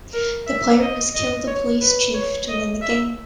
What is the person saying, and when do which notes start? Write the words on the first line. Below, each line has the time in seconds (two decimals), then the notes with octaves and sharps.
The player must kill the police chief to win the game.
0.13 A#4
0.47 E5
0.80 D#5
1.14 D#5
1.47 C#5
1.81 B4
2.14 C#5
2.48 D#5
2.81 E5